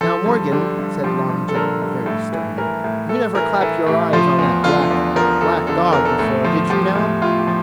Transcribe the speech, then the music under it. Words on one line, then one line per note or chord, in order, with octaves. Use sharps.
"Now, Morgan," said Long John very sternly, "you never clapped your eyes on that Black--Black Dog before, did you, now?"
F3 A4
G2
D3 G4
G2
F3 G4
G2
A4
D3 A#4
G2
A2 A4
E3
E3 A#4
A2
A2 A4
E3 A#4
E3 A4
A2 G4
F3 F4
E2
D3 F4
E2
F3 A#4
E2 A4
D3 A4
E2 A#4
A4
A2 A4
F3
F3 G4
A2
A2 F4
G4
F3